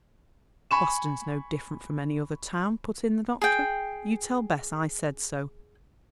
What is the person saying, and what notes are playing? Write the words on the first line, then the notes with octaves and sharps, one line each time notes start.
Boston's no different from any other town," put in the doctor. "You tell Bess I said so.
G#5 B5 C#6 E7
G#4 G5